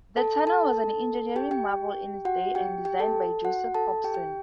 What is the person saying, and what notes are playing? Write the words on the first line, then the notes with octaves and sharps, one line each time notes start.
The tunnel was an engineering marvel in its day and designed by Joseph Hobson.
A4 A5
A4 A5
G4 G5
G4 G5
F#4 F#5
G4 G5
G4 G5
A4 A5
F#4 F#5
A4 A5
G4 G5
G4 G5